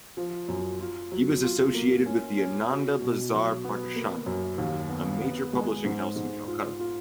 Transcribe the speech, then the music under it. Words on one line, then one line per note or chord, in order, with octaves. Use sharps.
He was associated with the Ananda Bazar Prakashana, a major publishing house in Calcutta.
F3
F#2
F4
F#3
F4
A#3
C#4
C#4
F#4
B2
F#3
B3
A#3
F#2
D#2
B3
B3
G#3
G#2
G#2
F4
F4